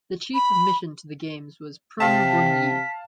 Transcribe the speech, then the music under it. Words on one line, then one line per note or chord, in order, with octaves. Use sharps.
The chief of mission to the games was Prum Bun Yi.
B5
C3 F5 G5 A5 B6